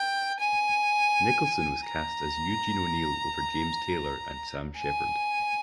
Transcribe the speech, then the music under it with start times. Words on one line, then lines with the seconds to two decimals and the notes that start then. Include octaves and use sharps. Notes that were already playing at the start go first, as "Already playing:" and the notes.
Nicholson was cast as Eugene O'Neill over James Taylor and Sam Shepard.
Already playing: G5
0.39 G#5
1.86 A#5
4.78 G#5